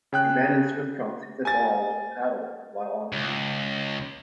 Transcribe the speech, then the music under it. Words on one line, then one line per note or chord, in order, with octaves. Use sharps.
A man in swim trunks hits a ball with a paddle, while on the beach.
C#3 G5 F#6
G#5 A6
C#2